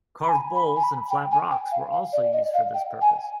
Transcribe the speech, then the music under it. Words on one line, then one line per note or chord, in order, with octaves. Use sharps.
Carved bowls and flat rocks were also used for this purpose.
B5
G#5
B5
G#5
B5
G5
G#5
G5
F5
F5
D5
D#5
F5
G5
G#5